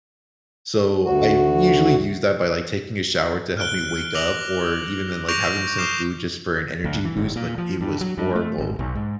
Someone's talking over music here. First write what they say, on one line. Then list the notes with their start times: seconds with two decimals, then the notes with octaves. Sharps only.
So I usually use that by, like, taking a shower to help me wake up or even then, like, having some food just for an energy boost, but it was horrible.
1.04 D2 F#4
3.57 F6 F#6 D7 G7
4.15 D6 A#6 F7 F#7
5.28 C#6 D6 G6 A#6 D7 F7
5.78 D6 D#6 F6 G6 C7 E7
6.84 D2
7.05 E3
7.17 G1
7.36 A#2
7.58 F3
7.81 G2
8.01 F#3
8.18 G2
8.35 A3
8.58 G#1
8.79 B1
8.95 G#2